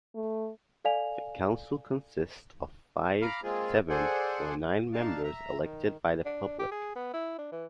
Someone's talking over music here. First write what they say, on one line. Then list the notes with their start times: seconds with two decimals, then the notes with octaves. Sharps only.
The council consists of five, seven, or nine members elected by the public.
0.15 A3
0.85 A4 D5 F5 G#5 F7
3.22 F5 A#5 B5 D6 F6
3.43 G#3 A#3 C4 F4 G#4
3.89 G#4 A4 C5 D5 F#5 G#5
4.93 D4 D#4 F5 A5
5.24 E5 A#5
5.60 D#3
6.25 D4
6.59 G4
6.71 G#4
6.96 B3
7.13 E4
7.38 D4
7.52 E3